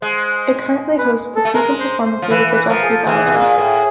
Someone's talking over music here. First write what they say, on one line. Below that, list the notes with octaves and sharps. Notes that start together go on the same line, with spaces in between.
It currently hosts the season performances of the Joffrey Ballet.
G#3 C5
B4
A4
A3
G#3 A#4
C5
C5
F3
E3 B4
B4
F3 A#4
G#4
A4
E3 G#4
B2
A#2
A2